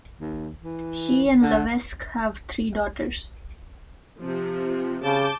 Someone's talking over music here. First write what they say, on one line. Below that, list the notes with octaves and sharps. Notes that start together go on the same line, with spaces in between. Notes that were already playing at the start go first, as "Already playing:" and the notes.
She and Levesque have three daughters.
D#2
E3
D3
C3 F3
C#3 A5 D6 G6